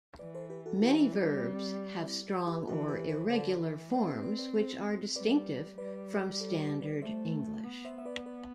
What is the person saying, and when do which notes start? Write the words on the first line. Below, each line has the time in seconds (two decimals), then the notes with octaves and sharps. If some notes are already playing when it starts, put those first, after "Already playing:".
Many verbs have strong or irregular forms which are distinctive from Standard English.
0.19 E3 B4 D5
0.34 A4 C5
0.50 G4 B4
0.66 F#4 A4
0.76 F#4
0.81 E3 E4 G4
1.02 C4 E4
1.12 G3
1.23 D4
1.43 C4
2.05 C4 E4
2.47 E4 G4
2.67 E3 F#4 A4
2.88 G4 B4
3.09 A4 C5
3.29 D3 A4 C5
3.61 E3
3.92 C4 B4 D5
4.07 G4 B4
4.23 B4 D5
4.39 B4 D5
4.54 A4 C5
5.16 G3 B4 D5
5.78 G3 B4 D5
6.40 A4 C5
6.61 G4 B4
6.81 B4 D5
7.02 A3 C5 E5
7.64 B3
7.85 C5 E5
7.98 E5
8.05 B4 D5
8.26 B4 D5